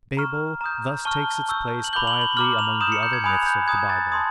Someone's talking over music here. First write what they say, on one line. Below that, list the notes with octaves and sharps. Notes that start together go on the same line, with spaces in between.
Babel thus takes its place quietly among the other myths of the Bible.
A#5 C#6 F6
A#5 D#6 G6
A5 C#6 F6 G7
C#6 E6 G6
F#7
B5 D6 G6 G7
F#7
F#7
A#5 D6 F6 F#7
F7
A#5 D#6 G6 E7
C#7
G6
G#6
G#5 B5 D#6 F#6 G6
G6
A#5 D#6 F#6 G#6
A6
A5 C6 D#6 G#6